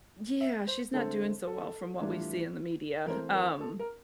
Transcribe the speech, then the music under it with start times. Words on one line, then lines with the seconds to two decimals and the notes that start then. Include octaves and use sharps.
Yeah, she's not doing so well from what we see in the media, um,
0.41 E5
0.67 C5
0.93 D3 A3 C4 A4
1.47 A4
2.00 A2 E3 G3 D4 F4
3.07 E3 A3 C4 A#4
3.34 A#4
3.61 A4
3.79 A#4